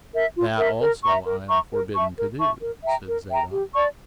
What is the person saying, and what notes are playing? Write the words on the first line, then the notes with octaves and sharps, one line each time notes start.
"That also I am forbidden to do," said Zadok.
A#4 E5
F4
A#4 E5
A#4
E5 A#5 C#6
A#4
E5 A#5 C#6
A#4
E5 A5 C#6
A#4
E5 A5 C#6
A#4
E5 G5 A#5
A#4
E5 G5 A#5
G4
D5 A5 C#6